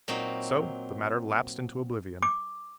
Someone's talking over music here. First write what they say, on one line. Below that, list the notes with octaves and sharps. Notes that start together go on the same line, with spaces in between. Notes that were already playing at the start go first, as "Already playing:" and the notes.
So the matter lapsed into oblivion.
A#2 F#3 C4 D#4
D6